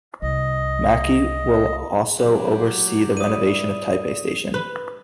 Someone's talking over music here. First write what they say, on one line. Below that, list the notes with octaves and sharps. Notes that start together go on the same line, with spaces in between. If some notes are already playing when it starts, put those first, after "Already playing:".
Maki will also oversee the renovation of Taipei Station.
C2 D#5
F#3 G4
G3 E4 D5 D#6 D#7
B4